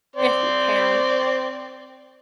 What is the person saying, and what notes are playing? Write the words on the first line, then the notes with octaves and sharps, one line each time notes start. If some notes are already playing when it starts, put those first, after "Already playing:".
If you can.
C4 C5 D5